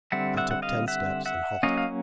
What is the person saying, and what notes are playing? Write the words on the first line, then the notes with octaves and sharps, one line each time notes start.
I took ten steps, and halted.
D3 G3 C4 E5 F#5
E5 F#5
F#5
D#5 F5
E5 F#5
E5 F#5
F#3 A#3 C#4 D#5 F5
F5